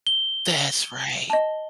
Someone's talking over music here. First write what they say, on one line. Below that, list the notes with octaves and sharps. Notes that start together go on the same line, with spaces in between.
That's right.
G7
D#5 A5